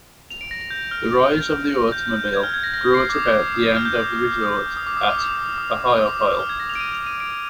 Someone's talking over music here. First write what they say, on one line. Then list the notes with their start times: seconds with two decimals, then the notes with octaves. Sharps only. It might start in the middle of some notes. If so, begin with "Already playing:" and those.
The rise of the automobile brought about the end of the resorts at Ohiopyle.
0.30 F7
0.41 D7
0.51 A#6
0.61 A#6
0.70 G6
0.91 F6
1.92 G6
2.06 G6
2.20 G6
2.34 G#6
2.43 F6
2.54 G#6
2.64 A#6
2.74 A#6
2.94 C7
3.09 D6
3.14 D#6
3.55 D#6
3.65 D#6
3.76 F6
3.85 G6
4.77 D#6
4.87 D6
4.97 D#6
5.07 F6
5.12 D6
5.18 D#6
5.58 D#6
5.98 D#6
6.07 D6
6.14 D#6
6.40 F6
6.49 G#6
6.60 A#6
6.70 F7
6.75 D7
6.80 D#7
6.93 F7
7.07 D#7
7.20 D7